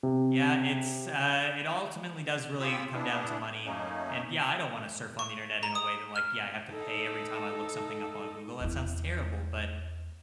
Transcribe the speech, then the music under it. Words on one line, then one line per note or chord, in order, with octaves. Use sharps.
Yeah, it's, uh it ultimately does really come down to money, and, yeah, I don't wanna surf on the Internet in a way that, like, yeah, I have to pay every time I look something up on Google, that sounds terrible, but,
C3
F4 G4 G#4 B5 E6
B3 D4 E4 G#4
F#2 A3 A#3 C#4 D#4
C#6
A#5
D#6
F6
D#4 A4
E2 E4